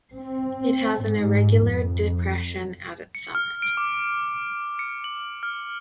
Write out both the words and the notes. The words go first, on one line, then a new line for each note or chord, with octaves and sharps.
It has an irregular depression at its summit.
C4
G#2
F2
C#7
F6
D7
D6
C#7
F#7
F6